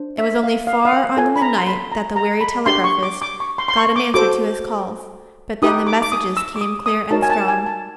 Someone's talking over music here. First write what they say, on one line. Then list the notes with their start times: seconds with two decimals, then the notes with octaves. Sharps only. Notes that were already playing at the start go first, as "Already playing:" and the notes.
It was only far on in the night that the weary telegraphist got an answer to his calls, but then the messages came clear and strong.
Already playing: D4 C5
0.18 E5
0.43 F5
0.67 F5
0.85 F5
0.93 F#5
1.17 F4 A4 C#5 G#5
1.36 B5
1.41 A#5
1.58 C6
1.67 B5
1.92 A#5
2.16 A#5
2.41 B5
2.66 D4 G4 B4 C6
2.84 C#6
3.03 D6
3.22 D6
3.40 C#6
3.58 C6
3.68 C6
3.77 C#6
3.96 D6
4.14 F#4 A4 C5 D6
5.62 D#4 G4 B4 D#6
5.87 D6
6.02 D6
6.12 D#6
6.37 E6
6.56 D6
6.61 D#6
6.86 D#6
7.11 D#4 F#4 A#4 C#5 A5
7.22 G#5
7.30 A5
7.48 G#5
7.66 A5